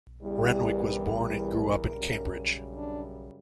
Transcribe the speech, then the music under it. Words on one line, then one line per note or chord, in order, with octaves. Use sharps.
Renwick was born and grew up in Cambridge.
E2 C#3 E3 G3
A#4
F#2 C#3 G3
D4